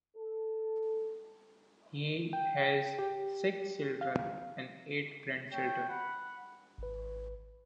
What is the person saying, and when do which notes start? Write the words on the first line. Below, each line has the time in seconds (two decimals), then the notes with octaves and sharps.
He has six children and eight grandchildren.
0.16 A4
2.33 G5
2.99 G4
4.01 F5
5.52 A3 C#5 G5
5.89 F#5 B5
6.78 G#1 B4